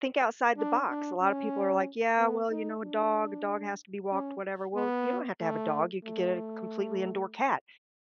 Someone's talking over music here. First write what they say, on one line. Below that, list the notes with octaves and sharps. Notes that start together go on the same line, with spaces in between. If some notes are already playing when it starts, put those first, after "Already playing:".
think outside the box, a lotta people are like, "Yeah, well you know, a dog, a dog has to be walked, whatever." Well you don't have to have a dog, you could get a completely indoor cat,
D4
D4
C#4
B3
D#4
D4
C#4
B3
A3
A3